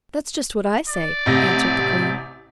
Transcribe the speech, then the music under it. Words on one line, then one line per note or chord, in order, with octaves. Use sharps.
"That's just what I say," answered the queen.
D5
A1 C3 A#6